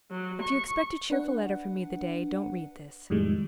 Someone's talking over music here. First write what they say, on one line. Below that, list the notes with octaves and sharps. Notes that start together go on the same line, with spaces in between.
If you expect a cheerful letter from me the day, don't read this.
F#3
C#6
D4 B4 F#5
F2 A2 D#3 G3 G#3